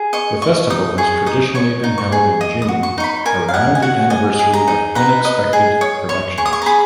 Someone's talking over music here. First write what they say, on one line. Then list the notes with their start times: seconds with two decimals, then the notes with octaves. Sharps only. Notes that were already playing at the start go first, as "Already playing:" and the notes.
The festival has traditionally been held in June, around the anniversary of Unexpected Productions.
Already playing: G#4
0.13 D#5 C#6
0.42 D#5 C#6
0.70 D#4 D#6
0.98 G#4 C#6
1.26 D#4 D#6
1.55 C#5 C#6
1.84 D#4
1.98 C#6
2.12 G#4
2.41 D#5 D#6
2.62 D#6
2.68 F#4
2.83 C#6
2.98 D#4 C#6
3.04 B5
3.26 A#4 G#5
3.48 F5
3.54 D#5 F#5
3.75 G#5
3.82 F#4 F#5
4.10 D#5 G#5
4.39 G#4
4.53 A#5
4.68 D#4
4.95 B4 A#5
5.25 D#5
5.53 G#4
5.81 C#5 D#6
6.09 C#5 C#6
6.38 G#4 C#6
6.46 D#6
6.53 C#6
6.62 A#5
6.66 G#4 B5